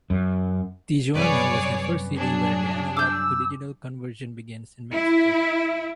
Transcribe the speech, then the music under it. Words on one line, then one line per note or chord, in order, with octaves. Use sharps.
Tijuana was the first city where the analog to digital conversion begins in Mexico.
F#2
F#2 C3 G3 B3 G#4 B4 C#5 D5
F#3 D4 G#4
D6 E6 G6
E4